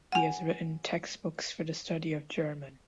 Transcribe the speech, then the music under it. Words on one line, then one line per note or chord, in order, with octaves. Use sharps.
He has written textbooks for the study of German.
F#5 G#5